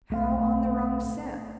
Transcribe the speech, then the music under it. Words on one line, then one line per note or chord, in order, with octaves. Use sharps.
"How on the wrong scent?"
B1 A3 F5